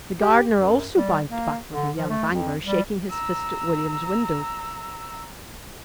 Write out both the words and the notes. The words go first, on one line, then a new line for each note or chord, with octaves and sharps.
The gardener also bounced back with a yell of anger, shaking his fist at William's window.
G4
F#2
G3
A#3
D3
F3
A3
F2
G3
A#5 E6